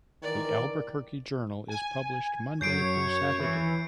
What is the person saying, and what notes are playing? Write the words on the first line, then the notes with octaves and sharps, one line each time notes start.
The "Albuquerque Journal" is published Monday through Saturday.
D#3 E3 A#4 D5
G#5
F#2 C#5 G6 C7 D7
E3